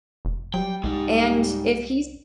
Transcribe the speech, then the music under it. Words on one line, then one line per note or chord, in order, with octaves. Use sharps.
And if he's
F1
F#3 G3 G5
C2 G#3 D#4